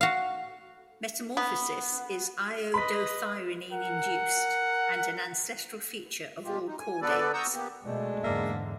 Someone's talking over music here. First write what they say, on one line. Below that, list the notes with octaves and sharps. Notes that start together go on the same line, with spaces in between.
Metamorphosis is iodothyronine-induced and an ancestral feature of all chordates.
F#4 F5
B3
B4 D#5 B5 B6
A#4 F#5
B2 G#3 F4 G4
D#4
G#5
D3 B3 A4 B4 D5
F#5 A#5 C#6 D#6 E6 G6
A#3 B3 G4
B2 G#3 A3 D4
E2 G#2 D3 A#3 D5 E5